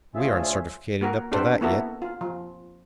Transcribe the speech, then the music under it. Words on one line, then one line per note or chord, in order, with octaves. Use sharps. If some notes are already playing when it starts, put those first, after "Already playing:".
We aren't certificated up to that yet.
D2 F3 C#4 F4 G#4 E5
A#3 F#4 A#4
C4 D4 G4 A4 B4 C5
A#3 B3 E4 F#4 A4
F4
F3